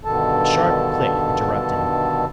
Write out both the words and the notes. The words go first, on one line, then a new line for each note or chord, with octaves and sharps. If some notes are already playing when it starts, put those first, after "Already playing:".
A sharp click interrupted him.
G2 B2 D3 D#3 A4 A5